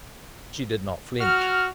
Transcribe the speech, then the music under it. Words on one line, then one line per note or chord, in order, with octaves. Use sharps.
She did not flinch.
F#4 F6